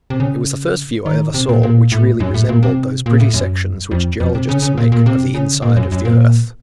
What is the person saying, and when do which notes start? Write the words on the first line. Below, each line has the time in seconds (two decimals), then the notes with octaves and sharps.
It was the first view I ever saw, which really resembled those pretty sections which geologists make of the inside of the earth.
0.10 C3
0.20 C#3
1.06 D#3
1.34 C3
1.49 A#2
1.63 A#2
1.92 A2
2.20 F#2
2.34 A2
2.49 A#2
2.63 C3
3.06 A#2
3.20 A2
3.34 F#2
3.91 F2
4.20 F2
4.35 C3
4.49 C#3
4.62 C#3
4.77 A#2
4.92 A#2
5.06 C3
5.34 C#3
5.62 A#2
5.76 F#2
5.92 F#2
6.05 A#2